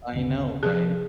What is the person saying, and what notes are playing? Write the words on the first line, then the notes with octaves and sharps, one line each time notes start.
I know, right?
G1 D2 C#3
C3 F3 G#4